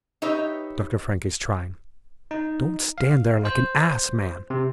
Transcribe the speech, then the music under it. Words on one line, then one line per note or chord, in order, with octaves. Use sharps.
Dr. Frank is trying ... don't stand there like an ass, man.
D#4 G4 B4 C#5 D#5 E5
D#4
F5
C5
C3